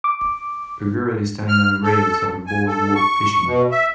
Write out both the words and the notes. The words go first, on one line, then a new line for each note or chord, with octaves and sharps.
A girl is standing on the rails of a boardwalk, fishing.
D6
F6
A4
G#5
A4
C#6
B2
E5